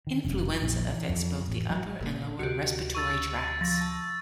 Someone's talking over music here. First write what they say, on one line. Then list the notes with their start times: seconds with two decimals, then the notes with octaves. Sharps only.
Influenza affects both the upper and lower respiratory tracts.
0.07 D#3
0.24 F1
0.62 A#1
0.92 E3
1.09 F2
1.48 A1
1.70 F#3
2.00 A#2 E3
2.39 D2 C3 F#4 G4
2.95 C#6 E6 A6
3.61 F3 A6 A#6
3.81 A5